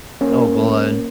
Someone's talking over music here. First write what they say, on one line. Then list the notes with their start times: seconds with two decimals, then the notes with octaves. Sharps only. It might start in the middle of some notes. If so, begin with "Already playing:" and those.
Oh, god.
0.21 A#3 C#4